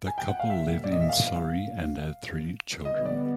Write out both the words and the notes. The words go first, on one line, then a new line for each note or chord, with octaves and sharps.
The couple live in Surrey and have three children.
G#5
G5
F#5
F5
A#2 G3 A#3 E5
D5
D#5
E5
F5
D3 G3 B3 D#5
D5